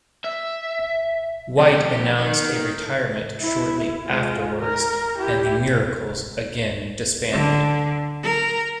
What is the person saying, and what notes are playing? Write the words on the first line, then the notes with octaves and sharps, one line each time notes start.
White announced a retirement shortly afterwards and the Miracles again disbanded.
E5
F2 G4
D#3
E4
G#3 F4
A#4
E4 G4
D3
A#4